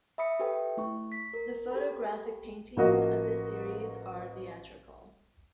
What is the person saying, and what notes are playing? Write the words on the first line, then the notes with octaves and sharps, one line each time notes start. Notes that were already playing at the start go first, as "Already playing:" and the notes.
'The photographic 'paintings' of this series are theatrical.
E5 B5 D#6 C#7
G4 A4 B4 E5 G5
A3 E4 C#6
B6
A#4
G4 A4 G5 B5
A1 F3 A#3 F#4 D#5 F5